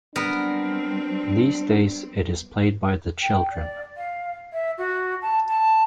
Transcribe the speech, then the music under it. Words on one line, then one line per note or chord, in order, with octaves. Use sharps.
These days it is played by the children.
F#3 G3 B3 C4 D4 A#4
G5
D5
F5
E5
F#4
A5
A5